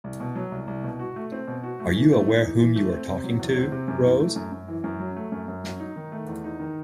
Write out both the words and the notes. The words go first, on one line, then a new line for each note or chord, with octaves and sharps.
Are you aware whom you are talking to, Rose?
C2
B2
F#3
C2
C2
B2
F#4
A3
C4
B2
F#4
A3
E3
A3
D#4
E3
E3
A3
C4
C3
F#3
E2
C4
C3
F#2
E3
A3
F#2
F#2
E3
F#2
F#3
A3
F#2
F#2
F#3
D#4
D#3
A3
E2
D#4
D#3